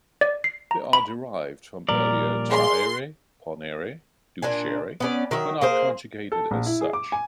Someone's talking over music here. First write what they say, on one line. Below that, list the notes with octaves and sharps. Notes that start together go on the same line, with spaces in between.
They are derived from earlier "trahere, ponere, ducere" and are conjugated as such.
D5
C7
A#5
B5
A#2 F3 G3 A#4 D5
G#4 C6
A#2 D4 G#5
B3 C#4 D5
D#3 F#3 E5
A#3 G#4 C5
A4
A#1
E4
G#4
D6
G#5